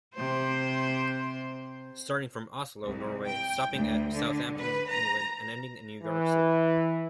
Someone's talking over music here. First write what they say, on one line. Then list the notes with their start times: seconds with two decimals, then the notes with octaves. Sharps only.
Starting from Oslo, Norway, stopping at Southampton, England, and ending in New York City.
0.16 C3 C5
2.84 C2
3.28 G5
3.73 D2
4.14 D3
4.59 B4
4.91 A#5
6.01 E3